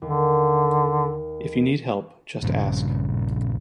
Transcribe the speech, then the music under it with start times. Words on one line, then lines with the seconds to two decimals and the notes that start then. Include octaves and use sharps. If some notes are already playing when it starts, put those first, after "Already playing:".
If you need help, just ask.
0.02 D#2 D3
2.42 A#1 G2 C#3